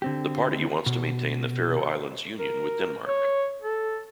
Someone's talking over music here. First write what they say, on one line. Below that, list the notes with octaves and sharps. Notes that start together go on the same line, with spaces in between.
The party wants to maintain the Faroe Islands union with Denmark.
D3 C4 G4
B2
A#4
C#5
A4